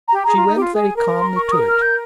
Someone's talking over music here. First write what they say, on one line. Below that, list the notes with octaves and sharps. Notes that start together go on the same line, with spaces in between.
She went very calmly to it.
A#5
G4
G#4 A#5
F4
D#4
G4
F4
G#4
A#4
C6
C#6
C#6
D#6
F6
G6